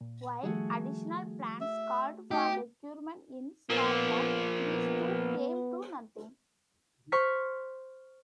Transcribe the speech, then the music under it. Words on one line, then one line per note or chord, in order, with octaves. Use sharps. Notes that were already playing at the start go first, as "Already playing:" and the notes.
While additional plans called for recruitment in Scotland, these too came to nothing.
A#2
D#3 F3 G3 A3 F#4 G#4
E5
A3 D#4 F#4 G4
F3 A#3 B3
B3
C5 C6 C#6 F6 B6